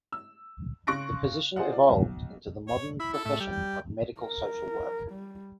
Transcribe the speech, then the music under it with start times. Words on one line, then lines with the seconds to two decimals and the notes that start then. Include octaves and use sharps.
This position evolved into the modern profession of medical social work.
0.12 E6
0.87 C#3 C6 C#6 F#6 A#6 D7
1.56 F4 G#4 C5 D5 D#5 F#5
1.72 F4 D5
1.89 B1
2.68 C#5
3.00 E4 B5
3.13 A4
3.25 A2 E5
3.40 G3
3.52 G5
4.21 A#4
5.12 G3